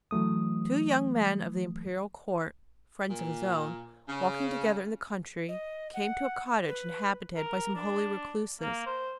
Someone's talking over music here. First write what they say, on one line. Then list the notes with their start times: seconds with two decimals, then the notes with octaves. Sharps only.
Two young men of the Imperial Court, friends of his own, walking together in the country, came to a cottage inhabited by some holy recluses.
0.11 E3 F#3 A3 D#6
3.09 A#2
4.08 C#3
5.48 D#5
5.94 F#5
6.68 B4
7.37 A#4
7.75 D4
8.62 A#3
8.86 C5